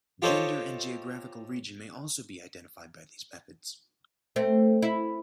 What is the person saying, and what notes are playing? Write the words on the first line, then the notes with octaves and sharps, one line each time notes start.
Gender and geographical region may also be identified by these methods.
F4 G4 A4 C5 C#5 D#5
A3 C4
E4